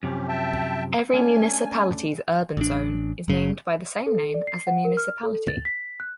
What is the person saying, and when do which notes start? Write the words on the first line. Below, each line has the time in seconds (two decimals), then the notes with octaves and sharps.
Every municipality's urban zone is named by the same name as the municipality.
0.03 F#2 C3 F3 C#4 G4
0.28 E5 G5 A5
1.13 A3 C#4 D4 G#5
2.57 A1 D4
3.28 F#1 C#3
4.06 A4
4.34 D5
4.47 C7
4.67 F#5
4.85 A#4
4.97 F6
5.23 A4
5.48 A6
5.65 B6
6.00 F#6